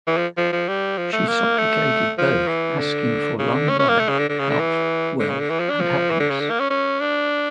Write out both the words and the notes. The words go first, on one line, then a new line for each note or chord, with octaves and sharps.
She supplicated both, asking for long life, health, wealth, and happiness.
E3
F3
F3
F3
G3
F3
A3
A#3
A3
F3
E3
D3
C#3
D3
C#4
C#4
A#3
A3
C#3
D3
D3
C#3
D3
E3
D3
C#3
D3
E3
F3
D4
F3
E3
D3
C#3
D3
A#3
C#4
C#4
D4